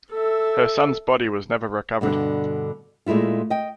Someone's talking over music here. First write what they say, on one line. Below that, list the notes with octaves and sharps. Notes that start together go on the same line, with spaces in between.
Her son's body was never recovered.
A4 E5
G2 B2 D3
A#2 G#3 A3 E4 F4
D#5 G5